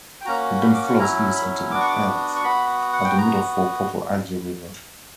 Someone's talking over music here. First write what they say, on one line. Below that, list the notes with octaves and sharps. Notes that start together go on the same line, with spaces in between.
It then flows east until its end at the Middle Fork Popo Agie River.
G5
A#3 C#4 F#4 A#5
B5
D6
C#6
F#3 C#4 E4 A#5
B5
B3 D4 F#4 D6
C#6
D6
C#6
B3 F#4 B5
F#5
G5
B3 F#4 A#5